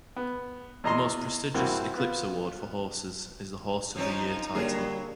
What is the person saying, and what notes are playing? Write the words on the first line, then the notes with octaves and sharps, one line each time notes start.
The most prestigious Eclipse Award for horses is the Horse of the Year title.
B3
E2 D#5 A#5 C6
G2 E3 A#3 C4 F#4
B3 F4
F3 C4 C#4 D#4
D3 F#3 G3 A#3 C#4 G#4